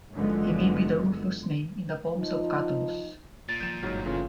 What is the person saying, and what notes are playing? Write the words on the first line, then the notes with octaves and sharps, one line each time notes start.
He may be the Rufus named in the poems of Catullus.
F#1 D3 E3 F3 G#3 B3
F3 D#4
A#2 A6
D#3 F3 G6 D#7 E7
G1 G#2 F#3 F6
C#3 E3 A3 F4